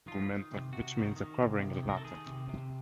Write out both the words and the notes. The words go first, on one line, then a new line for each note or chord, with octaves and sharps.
It derives from "integumentum", which means "a covering" in Latin.
D#3 F4
D#3
C3
C3 F#4
D#3
D#3
C3
C3
D#3
A#4
A4
D#3 G#4
C3
C3